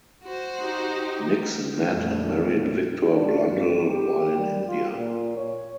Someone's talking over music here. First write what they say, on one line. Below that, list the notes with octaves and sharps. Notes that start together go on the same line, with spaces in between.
Nixon met and married Victor Blundell while in India.
F#4 C5
D#4 G4
F2 A#2 F3 G3 A3
D4
G2
G4
G3
F4
A#2
C#5